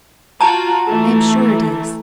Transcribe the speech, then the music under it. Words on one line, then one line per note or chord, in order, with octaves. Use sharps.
"I am sure it is."
F4 F#4 A5 A#5
E3 A3